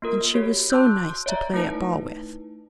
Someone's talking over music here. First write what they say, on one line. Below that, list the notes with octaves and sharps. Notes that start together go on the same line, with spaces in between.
And she was so nice to play at ball with!
A#3 F4 A#4
F#4 G4 C#5
A5 C6 D6 E6 F#6 G6
C#5 D5 E5 A#5
A3 D#4 E4 B4 A5